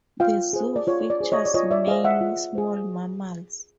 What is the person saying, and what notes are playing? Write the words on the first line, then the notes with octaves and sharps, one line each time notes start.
The zoo features mainly small mammals.
F4 F5 G5
G#4 C5
D5
F4 C#5
D5
G#4 C5
C#5 D#5
D5
F4 C#5 D#5
D5 E5
G#4 C5 D#5 F5
E5 F#5
F4
G#4 C5